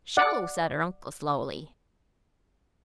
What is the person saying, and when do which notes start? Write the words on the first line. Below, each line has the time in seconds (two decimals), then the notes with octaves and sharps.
"Sho!" said her uncle, slowly.
0.17 D5 F#5